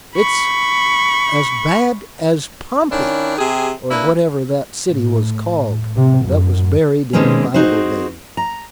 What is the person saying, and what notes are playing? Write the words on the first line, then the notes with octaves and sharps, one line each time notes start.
"It's as bad as Pompey, or whatever that city was called that was buried in the Bible days."
B5 C#6
D#3 C#4 D4 E4
C3 G4 G#4
A#3 D4 E4 B4
A2
C3
F#2
B2 D#3 G#3 A#3 C4 C#4
C4 D#4 F#4 G#4 C5
A#5